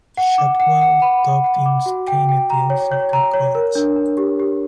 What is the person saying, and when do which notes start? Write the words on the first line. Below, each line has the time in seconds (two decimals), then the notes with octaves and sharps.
Shotwell taught in Skaneateles after college.
0.17 F#5
0.38 D6
0.60 F#5
0.81 F#5
1.02 B5
1.23 B5
1.44 F#5
1.66 D6
1.86 F#4
2.07 G5
2.29 G5
2.50 A#5
2.70 C#5
2.92 C#5
3.13 A#5
3.34 C#5
3.55 A#4
3.75 D4
3.96 D4
4.17 G4
4.40 G4